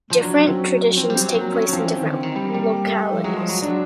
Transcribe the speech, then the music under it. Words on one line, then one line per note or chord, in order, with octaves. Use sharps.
Different traditions take place in different localities.
F3
F#3 D4
C#4
C4
F3 C4
G3
C4
F#3
F#3 A#3
C#4
F#3
F3 C4
E3
D#3
D3
D#3
G3
A#3
G3
A3
F3
F#3 G#3
F3
F#3
F#3 D4